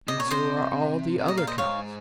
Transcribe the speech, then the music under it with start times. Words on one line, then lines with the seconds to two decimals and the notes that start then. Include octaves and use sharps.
And so are all the other cows.
0.08 C3 D#5
0.17 A#2 C#5
0.25 C3
0.31 C5 D#5
1.18 C3
1.28 A#2 D#5
1.38 F5
1.47 C5 D#5
1.58 G#2 C#5 F5